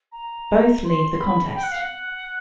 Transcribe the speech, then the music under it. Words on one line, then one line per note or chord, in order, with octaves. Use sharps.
Both leave the contest.
A#5
C6
B5
G5
F#5
F5
F#5